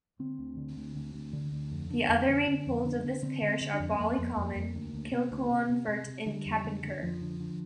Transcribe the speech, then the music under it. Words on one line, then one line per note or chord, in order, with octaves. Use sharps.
The other main poles of this parish are Ballycommon, Kilclonfert and Cappincur.
D3 C4
D2
D3
D2
D2
D2
D3
D2
F2
D3
F2
D3
D3
F2
D3
D3
D3 C4
D3
C4
D3
D4
F2
C4
F2 A#3
F2
F2
F2
D2
D2
C3
D2
C3
C3
C3
C3
D3 G3
F2
D3
D3
F2 F3
D3
D3